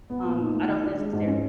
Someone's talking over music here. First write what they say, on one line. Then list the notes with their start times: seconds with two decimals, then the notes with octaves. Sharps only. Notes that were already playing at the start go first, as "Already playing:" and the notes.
um, I don't necessarily
0.10 B3
0.25 A#2
0.39 D#4
0.54 A3
0.69 D#3
0.84 D4
0.98 G#3
1.13 G#2
1.28 C#4